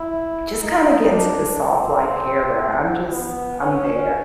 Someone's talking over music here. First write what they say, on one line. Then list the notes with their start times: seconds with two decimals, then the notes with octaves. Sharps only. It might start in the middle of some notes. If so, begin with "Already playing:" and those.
just kind of get into the soft life era. I'm just, I'm there.
Already playing: E4
0.62 D#4
1.11 D4
1.61 C4
3.11 B3
3.60 C#4